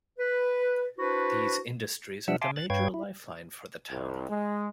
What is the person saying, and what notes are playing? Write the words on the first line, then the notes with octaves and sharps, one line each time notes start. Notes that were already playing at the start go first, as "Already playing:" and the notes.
These industries are the major lifeline for the town.
B4
D4 E4 F#4 B4 C5
F3 G3 D4 E5 F#5 E6
E5 F5 G#5 A5 C6 D6
F#6 A6
G2 B4 C#5 F5 G5 G#6
E4
C2
G#3